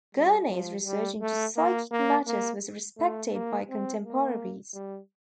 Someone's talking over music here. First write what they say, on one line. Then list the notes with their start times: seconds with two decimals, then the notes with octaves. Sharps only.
Gurney's research into psychic matters was respected by contemporaries.
0.15 G3
0.50 F3
0.85 G3
1.21 A3
1.56 A#3
1.91 A#3
2.27 A#3
2.98 A3
3.33 A#3
3.69 C4
4.04 A#3
4.74 G3